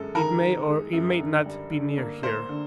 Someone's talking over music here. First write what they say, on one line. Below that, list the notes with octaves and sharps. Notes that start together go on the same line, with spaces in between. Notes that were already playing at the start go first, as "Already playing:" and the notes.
It may or it may not be near here.
Already playing: F#2 G#3 A4
D#3 A#4
D#3
G#3
F#2
D3
G3
D3
A#3
A#3 C5
D3